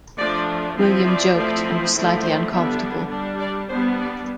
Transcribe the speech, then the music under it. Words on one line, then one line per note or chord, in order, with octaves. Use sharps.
William joked, and was slightly uncomfortable.
F3 A3 D4 D5
F3 C4 E4
D5
F3 A3 C4 E4
D3 F3 A3 C4 E4
C5
D3 G3 B3 D4 E5
G3 D4
D5
G3 B3 D4 C5
D5